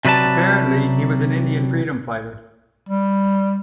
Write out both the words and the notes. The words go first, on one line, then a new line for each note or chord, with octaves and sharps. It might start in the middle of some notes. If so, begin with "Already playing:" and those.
Apparently, he was an Indian freedom fighter.
C3 F#3 B4 D5 A5
G3